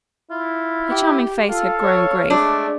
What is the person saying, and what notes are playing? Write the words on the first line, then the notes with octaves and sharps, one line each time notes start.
Her charming face had grown grave.
E4 F4
G4
F4 A4 F5
C#5
G#3 A3 D4